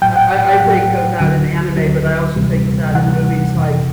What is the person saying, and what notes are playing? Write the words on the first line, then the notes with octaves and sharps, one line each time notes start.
I I I think of that in anime, but I also think of that in movies like,
A2 F#3 G5
F#5
G5
A2 F#3 F#5
D2 D3 F#3
D2 D3 F#3
D2 C3 E3 G3
D2 C3 E3 G3 F#5
F2 C3 E3